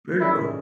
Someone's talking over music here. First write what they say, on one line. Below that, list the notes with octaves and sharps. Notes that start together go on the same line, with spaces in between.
Very cool.
D#3 G3 C#4 E4 G#4